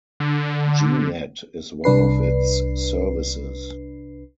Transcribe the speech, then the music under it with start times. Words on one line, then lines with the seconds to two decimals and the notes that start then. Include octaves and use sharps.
G-Net is one of its services.
0.20 D3
1.84 C2 D4 B4 C7